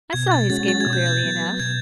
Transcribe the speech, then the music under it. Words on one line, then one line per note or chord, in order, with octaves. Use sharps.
I saw his game clearly enough.
B2 G#6
A6
G#3 C#4 F#4 A6
A6
G#6
B2
G6
G#6
F#3 B3
B2 G#6